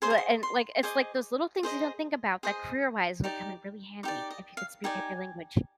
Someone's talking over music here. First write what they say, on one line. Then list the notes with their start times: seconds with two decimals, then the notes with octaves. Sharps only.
But and, like, it's like those little things you don't think about that career-wise would come in really handy if you could speak every language.
0.02 G#4 C5 D#5 C6
0.10 A#5
0.18 C6
0.43 C6
0.83 G#4 C5 D#5 D6
1.63 G#4 C5 D#5
2.43 G#4 C5 D#5 D#6
3.24 D#4 G4 D5
4.03 D#4 G4 D5 D6
4.30 D#5
4.57 F5
4.84 D#4 G4 D5 G#5